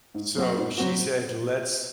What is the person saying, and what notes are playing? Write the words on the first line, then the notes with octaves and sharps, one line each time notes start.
So she said, "Lets"
G#2
F#3 C4 F#4
G#2
F#3 C4 F#4